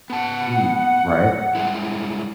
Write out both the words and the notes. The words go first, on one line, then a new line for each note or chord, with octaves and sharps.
Mm, right?
B3 F#5 A5
G3 G#3 E4